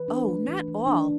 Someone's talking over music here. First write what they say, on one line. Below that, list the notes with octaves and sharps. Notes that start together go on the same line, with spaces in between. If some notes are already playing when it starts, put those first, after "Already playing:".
'Oh, not all!
Already playing: E3 B4
D4
A3
E3
E3
D4